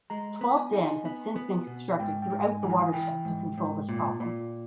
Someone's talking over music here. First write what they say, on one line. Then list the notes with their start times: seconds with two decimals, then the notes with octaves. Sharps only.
Twelve dams have since been constructed throughout the watershed to control this problem.
0.10 G#3 A#5
0.41 B3
0.57 G#5
0.73 D#4
1.05 B3
1.36 B3
1.67 B2
1.99 G#2 G5
2.22 G5
2.30 G#2
2.47 G#5
2.63 E3
2.70 G#5
2.93 E3 G5
3.25 G#2
3.58 G#2
3.89 A#2
4.20 A#2